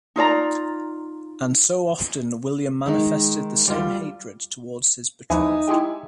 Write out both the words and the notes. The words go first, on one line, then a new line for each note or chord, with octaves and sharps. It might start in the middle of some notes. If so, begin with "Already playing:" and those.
And so often William manifested the same hatred towards his betrothed.
D#4 F4 D5 A#5
D#3 G#3 D#4
D2 G3 F4
D#2 E3 F3 D#4 E5 G#5 F#6
G#3 E4 G4 G#4 G5